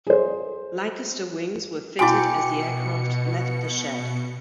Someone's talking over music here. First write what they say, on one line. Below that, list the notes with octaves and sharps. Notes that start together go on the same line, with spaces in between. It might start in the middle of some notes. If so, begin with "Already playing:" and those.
Lancaster wings were fitted as the aircraft left the shed.
G#4 C5
B2 E4 F#4 G5 G#5 D6 C#7